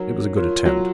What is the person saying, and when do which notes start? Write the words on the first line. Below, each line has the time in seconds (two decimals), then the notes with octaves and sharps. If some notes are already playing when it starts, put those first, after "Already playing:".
It was a good attempt.
Already playing: F#3 D#4 A#4 C#5
0.36 F4 A#4 C#5
0.66 F#3